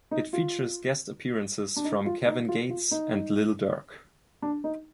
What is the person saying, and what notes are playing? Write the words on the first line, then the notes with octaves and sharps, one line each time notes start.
It features guest appearances from Kevin Gates and Lil Durk.
D#4
F4
D4
D#4
F4
D#4
F4
F4
D#4
D4
D#4